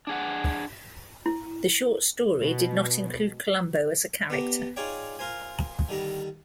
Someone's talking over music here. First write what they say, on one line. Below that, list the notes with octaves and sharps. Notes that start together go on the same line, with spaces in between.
The short story did not include Columbo as a character.
D4 G#4 F#5
E4
B2
B3 D4 G4 A#5
D#4 F4 G#4 C#5 D5 G5
F4 A#4 C5 G#5
D3 D#3 G3 A5 A#5